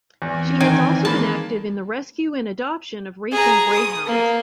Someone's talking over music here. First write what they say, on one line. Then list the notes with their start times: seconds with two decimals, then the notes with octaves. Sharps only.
She has also been active in the rescue and adoption of racing greyhounds.
0.22 E2 E3 C4 G#5
0.60 D#3 G5 G#6 D7
1.05 G#3 A#3 A5 B5
3.32 G#4 A#5
3.72 D#6
4.06 A#3